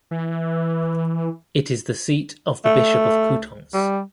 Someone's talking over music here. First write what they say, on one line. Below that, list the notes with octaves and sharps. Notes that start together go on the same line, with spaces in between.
It is the seat of the Bishop of Coutances.
E3
A3
G3